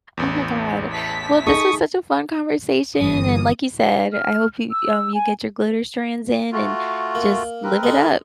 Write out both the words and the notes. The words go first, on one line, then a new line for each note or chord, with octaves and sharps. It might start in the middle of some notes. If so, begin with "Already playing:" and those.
Oh, my god. Well, this was such a fun conversation, and like you said, I hope you um, you get your glitter strands in and just live it up.
A1 E2
E5 A5 B6
D#4 G#4 A4 C#6 D#6
G1 E3 D#6
F6
E6
G#5
A3 F4 F#4
A#3
C4 A#4 B4
G#3 A4